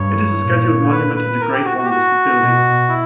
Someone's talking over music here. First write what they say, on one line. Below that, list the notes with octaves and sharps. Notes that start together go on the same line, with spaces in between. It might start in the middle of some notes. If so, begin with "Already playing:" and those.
It is a scheduled monument and a Grade One listed building.
Already playing: G2 C#5
A#2
B4
B4
A#4
G4
F#4
F#4
G4
F#4
B2
E4